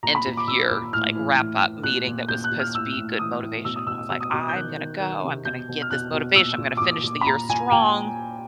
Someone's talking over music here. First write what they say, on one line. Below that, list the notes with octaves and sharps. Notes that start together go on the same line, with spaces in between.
end of year, like, wrap up meeting that was supposed to be good motivation. I was like, "I'm gonna go, I'm gonna get this motivation, I'm gonna finish the year strong"
A#2 A#5
B5
A#2
D6
A#2 E6
A#2
A2 F6
E3
A2
A2
A#2 F#6
A#2
A#2 G6
F#6
A#2
F6
A2 E6
A2
E3 D#6
A2
B2 E6
D#6
B2 E6
B2 E6
D#6
B2 D6
D#6
G6
D#3 F#6
D#3
D#3
C3
B2 G6
B2
F6
B2 F#6
B2
A#2 E6
A#2
D6
A#2 D#6
A#2
B5
A#2 A#5
A#2 G#5
A#2 G5